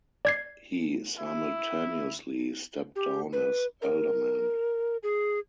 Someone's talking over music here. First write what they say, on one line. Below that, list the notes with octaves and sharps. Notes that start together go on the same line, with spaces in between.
He simultaneously stepped down as alderman.
D5 G#6 C7
E4
G4
B4
A#4
G#4